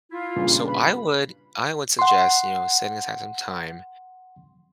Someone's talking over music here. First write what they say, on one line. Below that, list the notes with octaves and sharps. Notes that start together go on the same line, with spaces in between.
so I would I would suggest, you know, setting aside some time
E4 F4
G2 A#2 C#3
B4 B5
F#5 C6